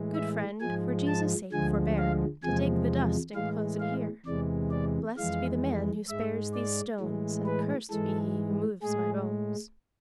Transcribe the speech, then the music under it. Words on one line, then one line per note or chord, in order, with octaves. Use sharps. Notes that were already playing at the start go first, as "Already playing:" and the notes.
"Good friend, for Jesus' sake forbear, To dig the dust enclosed here, Blest be the man who spares these stones, And cursed be he who moves my bones."
Already playing: A2 E3 G#3
E5
G#2 F3 G#3 G#5
A5
D2 D3 F3 G#3 G#5
F5
E2 C3 F3 G#3 G#5
A2 E3 G#3 F5
F5
E2 C3 E3 G#3 D5
D5
F2 E3 G#3 F5
G#2 G#3 E5
D5
A2 E3 G#3
B4
G#2 E3 G#3 A4
A2 G#3 G#4